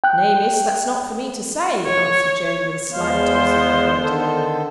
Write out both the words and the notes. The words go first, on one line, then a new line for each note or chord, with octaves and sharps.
'Nay, miss, that's not for me to say,' answered Jane, with a slight toss of her head.
G5 F#6
C#5
E2 G#3 B3 C5 F5
D3 D#3 A4